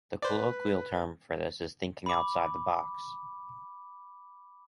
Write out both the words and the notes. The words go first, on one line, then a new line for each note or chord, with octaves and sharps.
The colloquial term for this is thinking outside the box.
B4 C5 D5
B5 D6